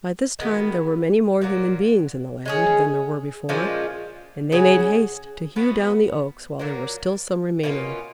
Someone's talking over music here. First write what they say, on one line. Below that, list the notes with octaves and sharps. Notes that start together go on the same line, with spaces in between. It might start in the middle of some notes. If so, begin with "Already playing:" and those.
By this time there were many more human beings in the land than there were before, and they made haste to hew down the Oaks while there were still some remaining.
D#3 G#3 B3 F#4
A#2 F#3 A#3
G#3 C#4 G#4
A#2 F3 G#3 C#4
C#3 F#3 C#4 G#4
F3 B3 F#4
A#2 F#3 A#3
B2 A#3 C#4 F4